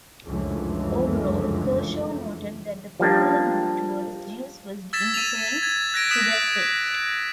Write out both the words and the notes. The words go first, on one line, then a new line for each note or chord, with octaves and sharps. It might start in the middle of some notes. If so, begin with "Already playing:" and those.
Overall, Kershaw noted that the popular mood towards Jews was indifference to their fate.
F1 C#2 F#2 D3 E3 F3
F3 G3 A#3 D4
E6 G#6 A6 B6 E7
D#7 F7
G#6
F#6 A#6 D7
D#6 F#6 B6 E7